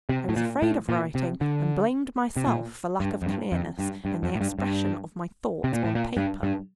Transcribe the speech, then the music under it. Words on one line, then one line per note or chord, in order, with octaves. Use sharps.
I was afraid of writing, and blamed myself for lack of clearness in the expression of my thoughts on paper.
C3
A2
A#2
A2
A#2
C3
D3
C3
A#2
G2
F2
G2
F2
G2
G2
F2
A2
G2
G2
C3
A#2
A2
A#2
G2
G2